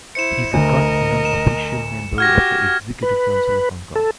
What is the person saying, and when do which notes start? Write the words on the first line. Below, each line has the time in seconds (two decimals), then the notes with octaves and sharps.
He is a current non-official member of the Executive Council of Hong Kong.
0.15 E4 C5 C#7 E7
0.53 D2 A#4 D#5
1.25 E7
2.18 F#4 G4 F6 G#6 A#6
3.03 B4
3.96 A4